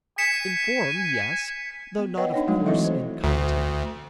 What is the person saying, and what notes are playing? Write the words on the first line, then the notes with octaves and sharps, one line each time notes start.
In form, yes, though not of course in content.
G#5 B6 C#7 E7
B3
B4 C#5 D#5 F#5 G5
D4 D#4 C#5 G5
F3 F#3 G#3 A3 D#4 F#4
E3 C4 E4 A4 D#5 E5
C5
D2